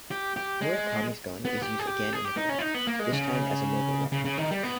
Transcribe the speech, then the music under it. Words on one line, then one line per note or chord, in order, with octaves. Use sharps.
Murakami's gun is used again in a crime, this time as a murder weapon.
G4
G4
G#3
B3
G4
G#4
G4
G#4
G4
D#4
C#4
E4
D#4
B3
A#3
G#3
C#3
C#3
C#3
D#3
G3
B3